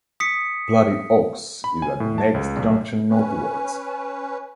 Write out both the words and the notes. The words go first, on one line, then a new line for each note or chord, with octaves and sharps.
Bloody Oaks is at the next junction northwards.
D#6 B6 C#7
B5
G#5
A2
A5
C#2
B1
C#4 B4 G#5